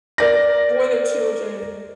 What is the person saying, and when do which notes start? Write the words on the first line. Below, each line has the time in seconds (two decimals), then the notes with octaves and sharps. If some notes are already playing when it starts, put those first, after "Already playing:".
For their children
0.18 A#4 D5 A#6